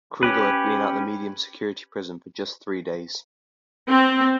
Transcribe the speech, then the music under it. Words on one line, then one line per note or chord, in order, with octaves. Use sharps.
Krugel had been at the medium security prison for just three days.
C#4 G4 B4
C4